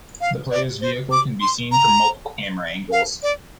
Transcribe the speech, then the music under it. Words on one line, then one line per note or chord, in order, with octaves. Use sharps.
The player's vehicle can be seen from multiple camera angles.
F5
D5
C5
D6
C6
A#5
F5
D5